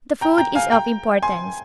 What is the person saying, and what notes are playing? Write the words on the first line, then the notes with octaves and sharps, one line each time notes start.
The food is of importance.
G5 A#5
G5 A#5
F5 G#5
G5 A#5
G#5 C6